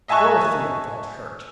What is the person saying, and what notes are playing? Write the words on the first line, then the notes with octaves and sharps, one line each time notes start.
Dorothea felt hurt.
D#5 E5 G#5 A5 C#6 F#6